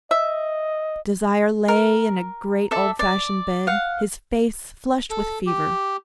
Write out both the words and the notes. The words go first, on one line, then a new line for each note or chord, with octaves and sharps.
Desire lay in a great old-fashioned bed, his face flushed with fever.
D#5 E5
A#4
A4 D5 E5
D5
F5 F#5
A4
G4